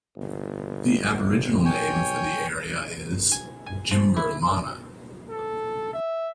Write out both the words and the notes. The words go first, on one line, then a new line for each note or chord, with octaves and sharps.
The Aboriginal name for the area is "Jimberlana".
G1
B1 C#5 G5 G#5
G#5
G#5
F3
E4
A4
E5